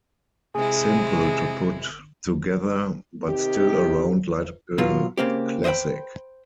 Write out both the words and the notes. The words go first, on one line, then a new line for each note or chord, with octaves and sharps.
Simple to put together, but still around like a classic.
C3 G#3 E4 G#4
C3 D#3 G4
B2 F#3 F4
C#3 A#3 C4 G4
C5 D#5 E5 G5 B5